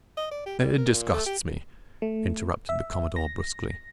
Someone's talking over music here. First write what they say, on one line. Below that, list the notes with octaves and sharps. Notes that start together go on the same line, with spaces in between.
"It disgusts me," interrupted the commodore brusquely.
D#5
D5
G4
G3
A#4
A#2
A3
G4
A3
E5
A#6